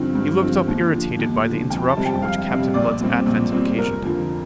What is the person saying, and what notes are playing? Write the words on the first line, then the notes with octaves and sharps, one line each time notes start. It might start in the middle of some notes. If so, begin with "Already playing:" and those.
He looked up irritated by the interruption which Captain Blood's advent occasioned.
Already playing: G2 D3 F3 C4
G2
D3 F3 C4
D#2
D3 F3
D#2
D3 F3
F2 G5
A5
C3 G3 C4
G5
F2 F5
C3 G3 C4
A#1 D5
A#2 G3 C4
A#1
A#2 G3 C4
F1 A#4
F2 D3 F3